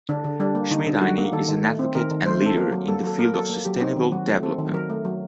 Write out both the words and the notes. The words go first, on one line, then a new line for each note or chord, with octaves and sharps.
Schmidheiny is an advocate and leader in the field of sustainable development.
D3 D4
D3
G3 D4
A#3
D3 D#4
D3
G3 F#4
A#3
D#3 A4
D#3
A3
C4
D#3 A#4
D#3
A3 C5
C4 A4
A#3 A#4
F#3
A#3 A4
F#3 A4
A#3 A#4
F#3 A4
A#3
F#3 G4
C4 D#4
D#3
F#3 F#4
A3
C4 A4
D#3
F#3 A#4
A3
F#3